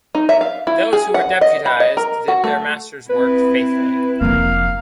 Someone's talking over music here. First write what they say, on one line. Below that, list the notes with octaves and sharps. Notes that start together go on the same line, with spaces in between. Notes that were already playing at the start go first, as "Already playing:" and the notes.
Those who were deputized did their master's work faithfully.
D#4
E5
F5
E4
G#4
F#5
D#5
B5
D#5
A#4
F#4
A3
C4 E4 B4
F1 F2 A#3 F5